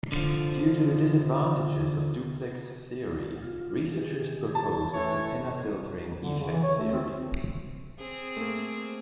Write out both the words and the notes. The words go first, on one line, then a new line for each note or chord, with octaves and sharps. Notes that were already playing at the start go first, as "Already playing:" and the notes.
Due to the disadvantages of duplex theory, researchers proposed the pinna filtering effect theory.
D3 F3
F4
D#3 G4 G#4
A5
E3 A3 C#4 C#5 C#6
D3
C#3
E3
C#5
A3
C4
C4 G#4
A3 A#3